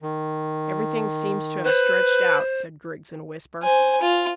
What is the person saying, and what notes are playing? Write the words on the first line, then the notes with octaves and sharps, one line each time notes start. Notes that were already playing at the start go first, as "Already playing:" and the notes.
"Everything seems to have stretched out," said Griggs, in a whisper.
D#3
B4 C5
C5 G#5
F4